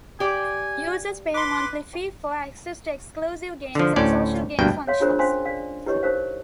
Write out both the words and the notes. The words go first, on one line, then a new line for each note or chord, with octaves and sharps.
Users pay a monthly fee for access to exclusive games and social game functions.
G4 D5 G#5
B4 C6 D6
D3 F3
D2 A2 C#4 C5 D5
D2 G2 B2 A#3 G5
C#5 E5 F5 C6
D4 F4 G#4 A#4 C5
C#4 C5 F5 G#5 C6
D5 F5
E4 G4 B4 C#5 D#5 C#6
D#4 A#4 C5 F5